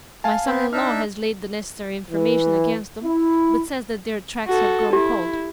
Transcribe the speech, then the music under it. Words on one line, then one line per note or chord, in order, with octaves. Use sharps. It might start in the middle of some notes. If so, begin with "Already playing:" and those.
My son-in-law has laid the necessary information against them, but says that their tracks have grown cold.
F5 G#5 A5
B3 C4
D4 D#4 E5 F6
E3
E4
F#4 A4
E4 G4